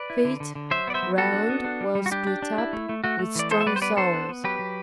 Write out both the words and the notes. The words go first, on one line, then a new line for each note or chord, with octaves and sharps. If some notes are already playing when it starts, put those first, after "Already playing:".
FEET--Round, well split up, with strong soles.
Already playing: B4 D5
E4
D3
D3
D3
F#3 C5 E5
B3 D5
C5 E5
F#3
B3 F#4 A4
D4
B3
D4
G3
G3
F#4
D4 G4
D4
D4
E4
A3
A3
A3 F#4
A3
E3 D5
B3 A4 C5
E5
G3 B4 D5
C5
B3 B4 D5
D4 A4 C5
B3
B3
F#3 G4 B4
F#3